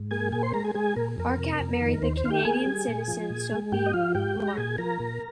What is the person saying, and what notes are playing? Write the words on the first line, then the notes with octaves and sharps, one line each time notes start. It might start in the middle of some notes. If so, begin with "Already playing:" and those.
Harkat married the Canadian citizen Sophie Lamarche.
Already playing: G#2
A#3 G#4 G#5
A#2 G#4 G#5
C5 C6
G#3 A#4 A#5
G#4 G#5
G#3 G#4 G#5
A#2 A#4
F2 A#4
C3
F2
D#3
A#4
D#2 C5
C5
D#3 F5
G4 G5
A#3 G#4 G#5
G3
A#2
F3
A#2
G#3
G#2 G4 G5
D#5
F3 F4 F5
G#2 G4 G5
G#3
A#5
A#2 G#4 G#5
F3 A#4 A#5
A#2